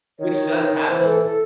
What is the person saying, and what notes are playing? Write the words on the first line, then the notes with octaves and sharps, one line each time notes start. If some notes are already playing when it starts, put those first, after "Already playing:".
which does happen,
D#3 C#5
E3 C5
A4
A4